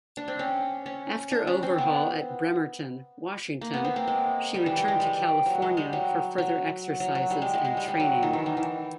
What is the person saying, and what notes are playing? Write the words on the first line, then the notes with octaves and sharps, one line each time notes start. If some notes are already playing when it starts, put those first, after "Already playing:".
After overhaul at Bremerton, Washington, she returned to California for further exercises and training.
D4
C4
C#4
C#4
D4
C#4
C4
B3
A#3
B3
C4
A#3
G#3
G3
E3
G3
G#3
G3
F#3
G#3
G3
F#3
F#3
F#3
F#3
G3
G#3
G#3
G#3
G3
G3
F#3
D#3
E3
D#3
E3